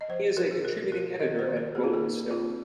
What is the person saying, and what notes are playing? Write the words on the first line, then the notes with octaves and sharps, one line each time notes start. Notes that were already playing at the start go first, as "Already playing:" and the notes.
He is a contributing editor at "Rolling Stone".
D#5
F3 C5
F3 A#4
G#4
F3 A#4
F3 A#4
D#3 D#5
C5
D#3
A#4
A#3 G#4
F4
G#4
D#4
C4 F4